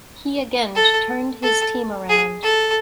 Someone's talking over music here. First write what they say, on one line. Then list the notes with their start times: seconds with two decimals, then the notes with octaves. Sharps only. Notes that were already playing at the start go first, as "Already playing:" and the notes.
He again turned his team around.
0.75 A4
1.43 A4
2.09 G#4
2.43 A4